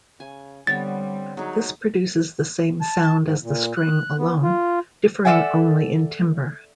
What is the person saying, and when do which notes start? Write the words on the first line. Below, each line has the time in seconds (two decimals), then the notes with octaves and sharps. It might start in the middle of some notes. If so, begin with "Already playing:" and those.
This produces the same sound as the string alone, differing only in timbre.
0.20 C#3 G#5
0.67 D3 G3 B3 C4 C#5 A6
1.37 F#3 D#4 G#4
2.81 A5
3.24 G#2
3.42 A#2
3.76 F#6
4.18 B3
4.43 F4
5.25 A4 C5 D5 E5 F#5 G#5